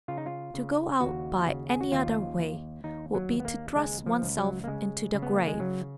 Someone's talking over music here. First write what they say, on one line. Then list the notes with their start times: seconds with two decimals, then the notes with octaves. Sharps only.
"To go out by any other way would be to thrust oneself into the grave."
0.08 C#3 F4
0.18 D#4
0.26 F4
0.54 C#3
1.01 D#2 F#4
1.46 C#3
1.69 G#4
1.81 F#4
1.92 D#2 F4
2.38 D#2
2.84 D#2 D#4
3.15 F#3
3.30 D#2
3.40 B3
3.45 A#3
3.76 C#2 G#3
4.06 F3
4.22 C#2
4.38 F#3
4.64 A#3
4.67 C#3 G#3
5.14 C#3
5.23 B3
5.36 A#3
5.47 G#3
5.59 C#3 F#3